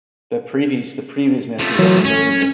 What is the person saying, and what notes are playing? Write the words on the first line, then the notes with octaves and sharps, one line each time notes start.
the previews the previews, man, it can look amazing.
F3 A3
E3 F#3
G1 C#4